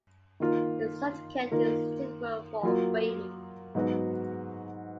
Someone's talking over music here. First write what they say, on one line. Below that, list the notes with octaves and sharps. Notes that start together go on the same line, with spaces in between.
The certificate is suitable for framing.
D#3 A#3 F4 A#4
D#3 A#3 F4 A#4
F#3 A#3 F4
G#2 F#3 B3 F#4